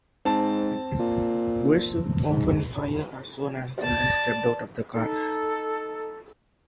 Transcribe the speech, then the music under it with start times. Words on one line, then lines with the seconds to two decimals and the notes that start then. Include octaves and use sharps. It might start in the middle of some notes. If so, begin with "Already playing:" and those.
Grissom opened fire as soon as the men stepped out of their car.
0.25 G#2 C4 A5
0.99 A#2
2.30 G#2
3.80 D5 A5
4.94 D#4 A4